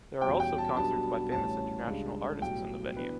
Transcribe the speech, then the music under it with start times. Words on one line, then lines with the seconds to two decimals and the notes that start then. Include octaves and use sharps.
There are also concerts by famous international artists in the venue.
0.21 E2 B2 G3 C#4 G5
0.40 G5
0.58 A5
0.76 B1 B2 G3 B3 D4 A5
1.32 A1 A2 G3 C#4 A5
1.87 C#2 C#3 G3 D4
2.42 B1 A2 G3 G5
2.96 E3 B3 D4 B4